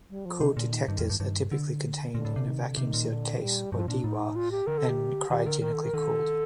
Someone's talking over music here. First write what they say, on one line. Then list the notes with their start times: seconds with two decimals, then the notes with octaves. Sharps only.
Cooled detectors are typically contained in a vacuum-sealed case or Dewar and cryogenically cooled.
0.10 G3
0.25 F3
0.41 C3 D#3
0.56 A#2 D3
0.72 D#3
0.88 G2 D#3
0.99 F2
1.10 G2
1.20 G2 D#3
1.52 D3
2.15 A#2 D3
2.25 A2
2.36 C3
2.46 D#3
2.62 D3
2.78 C3 D#3
2.94 A#2
3.10 D3
3.41 G3
3.72 G2 F3
3.88 A#2 D4
4.04 A2 D#4
4.36 F4
4.51 G4
4.67 D3 A#4
4.78 A4
4.89 G4
5.30 D#3 G4
5.46 D3 A#4
5.61 D#3 A#4
5.72 A4
5.83 A#4
5.94 D#3 A4